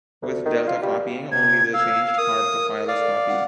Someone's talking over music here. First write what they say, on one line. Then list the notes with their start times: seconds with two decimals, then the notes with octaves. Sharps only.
With delta copying, only the changed part of a file is copied.
0.22 D2
0.45 D#3
0.67 F4
0.82 G3
1.32 C3 G#6
1.74 F5 E6
2.18 A#4 D#6
2.88 D5 F5
3.29 F#5